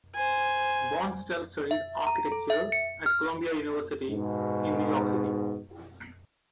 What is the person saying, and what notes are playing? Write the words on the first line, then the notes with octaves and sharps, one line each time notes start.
Bonestell studied architecture at Columbia University in New York City.
C5 G#5
E5
A#5
A4
E5
C#7
F6
G#2 B2